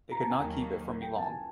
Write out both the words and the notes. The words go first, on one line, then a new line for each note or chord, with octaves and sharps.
They could not keep it from me long.
A#5
A5
G#5
D#2 D#3 F#3 A#3 G5
G5
A5
G#5